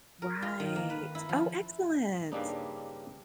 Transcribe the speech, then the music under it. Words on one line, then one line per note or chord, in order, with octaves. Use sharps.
Right. Oh, excellent!
A#4
F4
D#3
A#3
B4
E4
F3
G2 C#3 G3 A#3 D4 D#4